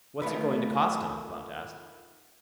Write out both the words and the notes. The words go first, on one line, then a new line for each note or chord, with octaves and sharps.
"What's it going to cost him?" Blount asked.
D#3 A3 F4 B4